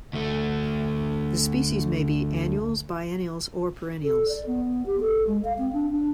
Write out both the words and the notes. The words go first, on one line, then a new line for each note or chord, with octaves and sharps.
The species may be annuals, biennials or perennials.
D2 A3
A4
D5
B3
G4
A4
G#3
F5
C4
D4
D4